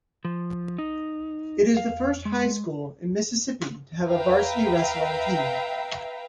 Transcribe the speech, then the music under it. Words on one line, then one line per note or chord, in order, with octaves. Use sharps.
It is the first high school in Mississippi to have a varsity wrestling team.
F3
D#4
F5
G#3
B4 E5 F5 G5 A#5